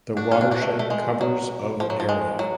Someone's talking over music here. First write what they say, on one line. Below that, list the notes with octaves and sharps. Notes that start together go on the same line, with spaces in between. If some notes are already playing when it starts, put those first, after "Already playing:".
The watershed covers of area.
D4 F#4
C#4 F4
D4
D4 F#4
A3
A3
G#3
F#3
F3
F#3
F3
G#3
F#3